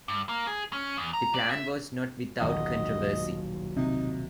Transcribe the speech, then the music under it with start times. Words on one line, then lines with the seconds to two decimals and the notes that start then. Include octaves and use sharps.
The plan was not without controversy.
0.08 G2
0.29 A#3
0.47 G#4
0.73 C#4
0.97 E2
1.13 A#5
1.34 D5
1.51 E5
2.40 D#1 B1 B3 D#5
3.77 C3 D#4